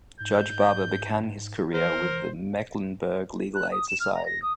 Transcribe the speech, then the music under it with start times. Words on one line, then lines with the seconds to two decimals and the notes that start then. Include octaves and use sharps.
Judge Barber began his career with the Mecklenburg Legal Aid Society.
0.20 G#2 G6
1.74 E3 A#4 C5
3.55 F#6
3.71 D#6
3.88 E7
4.00 F6
4.14 A#5
4.26 A#6
4.42 D#6